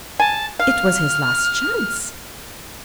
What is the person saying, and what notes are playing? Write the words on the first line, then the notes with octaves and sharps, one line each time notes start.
It was his last chance.
G#5 A5
F5 F6